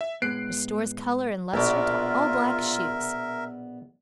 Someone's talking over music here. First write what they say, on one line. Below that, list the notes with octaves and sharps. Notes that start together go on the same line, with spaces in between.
Restores color and lustre to all black shoes.
E5
A2 G#3 B3 F#6 C7 D7
A#1 B2 B3 F4 A#4 D5 E5